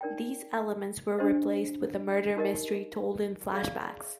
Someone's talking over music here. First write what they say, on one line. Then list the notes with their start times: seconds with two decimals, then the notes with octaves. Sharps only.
These elements were replaced with a murder mystery told in flashbacks.
0.01 D#4 A#4 D5 G5
1.18 D4 G4 C5 D#5
2.36 D#4 G4 A#4 D#5
3.53 G#4 D5 F5